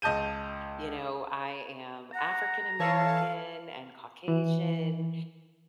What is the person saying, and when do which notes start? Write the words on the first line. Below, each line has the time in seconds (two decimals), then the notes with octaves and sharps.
you know, I am African American and Caucasian,
0.02 C#2 D#5 A5 G6 D#7
2.13 F#5 A#5
2.79 E3 A4 C#5 F5 A5
4.28 E3